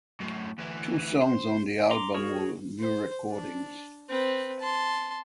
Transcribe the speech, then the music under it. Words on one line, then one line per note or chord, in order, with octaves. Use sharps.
Two songs on the album were new recordings.
F#2 A2
D2 E3
C5
A#5 C6 D6
F#4 G#4 A#4 C#5
C5
D4
C4 B4
A5 C6